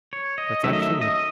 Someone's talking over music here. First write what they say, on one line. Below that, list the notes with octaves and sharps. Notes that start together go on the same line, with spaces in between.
that's actually a
C#5
D#5
D#3 F#3 A3 C#4 E5
D#5
E5
D#5